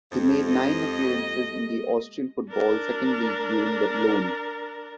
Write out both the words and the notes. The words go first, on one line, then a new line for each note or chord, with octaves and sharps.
He made nine appearances in the Austrian Football Second League during the loan.
F2 G#3 G4 A4
D#5
D4 A#4